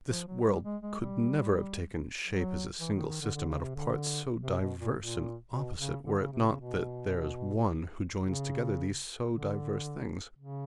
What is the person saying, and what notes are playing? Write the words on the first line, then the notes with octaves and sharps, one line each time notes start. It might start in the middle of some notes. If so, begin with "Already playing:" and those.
This world could never have taken shape as a single system out of parts so diverse and opposite were it not that there is One who joins together these so diverse things.
F3
F#3
G3
G#3
G#3
G3
F#3
E3
D#3
D#3
D3
D3
C#3
C3
D3
C3
B2
A#2
A#2
B2
C#3
D3
C#3
C3
C#3
B2
C#3
D3
C#3